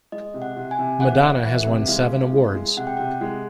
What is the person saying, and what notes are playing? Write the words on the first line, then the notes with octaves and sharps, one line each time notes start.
Madonna has won seven awards.
G#3 D#5
C3
F#5
C3
G#5
C3
E3 F#5
E3
E3
C3
G#3 F5
C3
G#3
G#3
C3 F#5
G5
C3 F#5
G#3